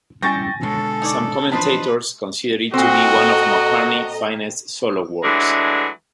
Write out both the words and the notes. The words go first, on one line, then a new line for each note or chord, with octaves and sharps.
Some commentators consider it to be one of McCartney's finest solo works.
G3 C#4 E4 G5 G#5 C#6 A6 A#6
B2 D3 G#3 C#4 A4
D#4 C#5 D5
E3 F3 D4 B4 C5 D#5 A5 B5
A#2 C4 F#4 A4 D#5 A#5
D3 E3 F#3 G#3 A3 D4